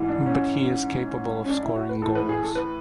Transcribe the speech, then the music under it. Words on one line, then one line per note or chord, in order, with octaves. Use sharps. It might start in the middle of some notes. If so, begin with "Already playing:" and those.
But he is capable of scoring goals.
Already playing: G#2 E3
D4
C#4
C#4
D4
E4
F#4
B4
A2 E3 A4
B4
G#4
A4
B4